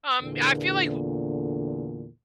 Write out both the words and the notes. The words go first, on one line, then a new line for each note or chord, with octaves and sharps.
Um, I feel, like, w
E2 A#2 D3